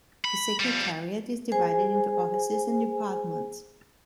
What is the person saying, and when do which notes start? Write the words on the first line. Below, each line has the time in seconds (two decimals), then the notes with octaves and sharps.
The Secretariat is divided into offices and departments.
0.25 B5
0.60 F3 G3
1.52 G#4 C5 G#5